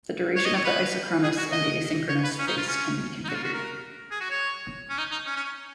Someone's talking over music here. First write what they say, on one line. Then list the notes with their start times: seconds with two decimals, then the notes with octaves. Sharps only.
The duration of the isochronous and the asynchronous phase can be configured.
0.36 C#5
0.46 D#5
0.56 C#5
0.65 B4
1.23 G#4
1.38 F#4
1.52 D#5
2.09 C#5
2.24 B4
2.39 C#4
2.47 D#4
2.57 F4
2.67 C#4
3.24 D#4
3.29 F#4
3.34 F4
3.44 F#4
3.54 A#4
4.11 G#4
4.20 F#4
4.30 C#5
4.90 C#4
4.98 D#4
5.11 D#4
5.26 C#4
5.36 C#4